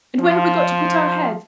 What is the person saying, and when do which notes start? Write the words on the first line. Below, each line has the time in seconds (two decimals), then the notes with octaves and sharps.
And where have we got to put our heads?
0.20 F3